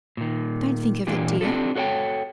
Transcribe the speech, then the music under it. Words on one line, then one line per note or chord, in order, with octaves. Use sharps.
'Don't think of it, dear.
A#2 D#3
A#2 E3 A#3 D4 F4 G4
C4 D4 F4 G4 A4
F#4 A4 C#5 E5 G5